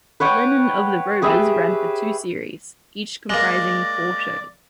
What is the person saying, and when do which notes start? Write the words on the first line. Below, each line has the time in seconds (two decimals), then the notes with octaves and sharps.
Lenin of the Rovers ran for two series, each comprising four shows.
0.20 B4 C#5 F#5 G5
1.22 G4 G#4 B4 E5
3.30 G#3 A#3 D5